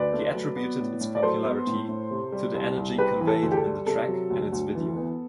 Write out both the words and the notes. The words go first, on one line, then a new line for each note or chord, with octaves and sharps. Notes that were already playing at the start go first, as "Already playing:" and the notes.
He attributed its popularity to the energy conveyed in the track and its video.
Already playing: D2 B4 D5
A3
F#3
B3
A2
A2
D5
F#3 A4 C5
B3
A2
A2
C3
G3
C2
C2
C3 G4 B4
E3
A4
D2
G4
A4
G3
C3 A4
F#3
D2
D2
E3
B3